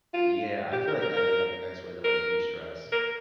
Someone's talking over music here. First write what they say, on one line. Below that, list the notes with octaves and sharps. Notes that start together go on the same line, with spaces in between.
Yeah, I feel like that'd be, like, a nice way to, like, de-stress.
F4
G4
A#4
A#4
A#4
A#4
A#4